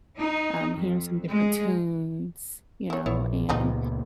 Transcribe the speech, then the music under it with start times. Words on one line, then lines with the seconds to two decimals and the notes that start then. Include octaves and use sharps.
um, hearing some different tunes, you know, and,
0.20 D#4
0.75 F2
1.29 G#3
2.90 E4 C#5
3.06 A#1 B3 E4 C#5
3.49 C#2 A#2 F3 G3 B3 D#4